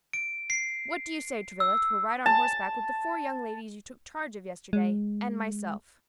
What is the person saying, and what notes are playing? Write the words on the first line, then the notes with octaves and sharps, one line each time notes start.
"What do you say, Travilla, to a ride on horseback with the four young ladies you took charge of yesterday, and myself?"
D7
C7
E6
A5
G#3